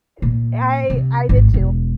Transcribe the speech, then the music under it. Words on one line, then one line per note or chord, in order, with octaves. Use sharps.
Eh I I did too.
A#2
C3
G#1
E1